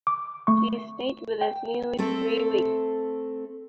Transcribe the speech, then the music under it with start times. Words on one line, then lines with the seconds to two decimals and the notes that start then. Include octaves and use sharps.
She stayed with us nearly three weeks.
0.07 D6
0.47 A3 C#6
1.41 G5
1.98 A3 C4 A4